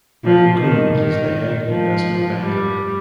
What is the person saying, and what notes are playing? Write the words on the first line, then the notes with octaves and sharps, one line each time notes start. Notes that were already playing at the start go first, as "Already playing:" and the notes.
Michael Coombs is the head investment banker.
F3
D#3
D#3
F3
G3